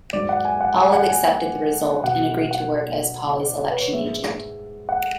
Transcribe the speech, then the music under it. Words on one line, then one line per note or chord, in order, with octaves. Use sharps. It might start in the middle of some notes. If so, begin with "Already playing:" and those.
Olive accepted the result, and agreed to work as Paulley's election agent.
G#2 F#3 D5
F#5
G#5
F#5
G#5
F#5
G#5
B2 F#3 F#5
F#5
D5
C#5
B4
C#5
G#2 G#3 E5
F#5